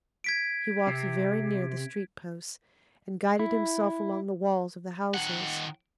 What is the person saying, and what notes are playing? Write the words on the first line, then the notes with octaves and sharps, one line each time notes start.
He walked very near the street-posts, and guided himself along the walls of the houses.
G#6 B6 D7
C3
E4
D#3 F#5